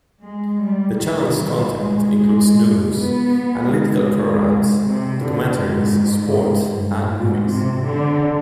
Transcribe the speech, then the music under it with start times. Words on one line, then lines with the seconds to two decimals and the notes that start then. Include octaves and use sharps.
The channel's content includes news, analytical programs, documentaries, sport and movies.
0.24 G#3
0.63 G3
1.01 D#3
1.40 G3
1.78 G#3
2.15 G#3
2.91 B3
3.68 G#3
4.83 C3
5.21 D3
5.59 G#2
6.73 G2
7.11 G#2
7.49 C3
7.87 D3